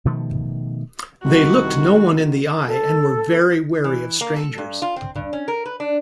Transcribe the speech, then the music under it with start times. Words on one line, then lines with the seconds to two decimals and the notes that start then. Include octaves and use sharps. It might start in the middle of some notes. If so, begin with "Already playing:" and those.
They looked no-one in the eye and were very wary of strangers.
0.05 B2 D#3 F3 A3
1.25 C2 D#3 F#4
2.67 A4
3.84 E3
4.21 A#3
4.36 A4
4.58 G2
4.82 F4
4.96 C4
5.15 G2
5.33 C#4
5.48 A#4
5.66 B4
5.80 D4